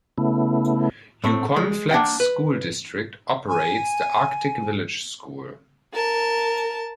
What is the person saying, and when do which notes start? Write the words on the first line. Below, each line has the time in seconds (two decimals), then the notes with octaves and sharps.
Yukon Flats School District operates the Arctic Village School.
0.18 C#3 A3 B3 E4
1.24 A2 A3 C4
1.56 G#3
1.91 A#3 D4 F#5 G5
2.20 B4
3.49 G#5
5.93 A#4 A5